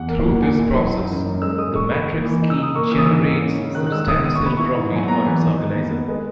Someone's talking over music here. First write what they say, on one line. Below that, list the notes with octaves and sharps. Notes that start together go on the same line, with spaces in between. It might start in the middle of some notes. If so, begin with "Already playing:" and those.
Through this process, the matrix scheme generates substantial profit for its organiser.
Already playing: E2 F#5
A#3
A#3
F#5
A#2 G#5
E4
F#3 B5
D#4
F#2
F#2
G#3 E6
G#3 D#6
G#3 C#6
G#3 B5
A#3
E3
D#4
E6
D#4 D#6
A#3 C#6
E3 E6
D#6
G#2 E6
G#2
C#4
C#3
D#3 F#6
F#6
G#3 E6
D#3 D#6
B3 D#6
C#6
B3 B5
E4 C#6
G#2
F#3 G#5
B3 A#5
E3 G#5
D#3
D#4
B3
B3
G#3 B4